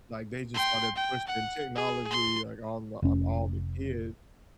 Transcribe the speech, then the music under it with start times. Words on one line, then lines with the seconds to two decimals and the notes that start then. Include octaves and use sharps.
like, they just started pushing technology, like, on the on all the kids,
0.54 G5 C6
0.95 G5
1.27 F#5
1.76 G#4
2.11 C6
3.02 F1 C#4